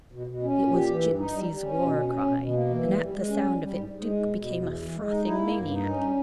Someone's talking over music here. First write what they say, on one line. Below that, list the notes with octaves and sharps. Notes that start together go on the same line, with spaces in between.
It was Gipsy's war-cry, and, at the sound of it, Duke became a frothing maniac.
B2
B2
C#4
A#2
G4
E3
G2
D#4
G3
G3
C#4
B2
C#4
C#4
B2
B2
A#3
E3
G3
G3
G#3
C#4
G3
G3
G#2
G#2
G#3
B2
B2
E2
E3
E3
G#3
D#4
E4
A#3
G2
D#4
C#4
G3